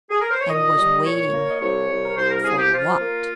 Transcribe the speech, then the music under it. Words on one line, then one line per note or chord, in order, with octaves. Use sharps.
And was waiting--for what?
G#4
A#4
C5
C#5
A#2 D#5
G3
A#2 C#5
A#3
D#5
C2 C#5
C2
A#4
C2 C5
A#4
C2 G#4
G4
F3 F4
A#3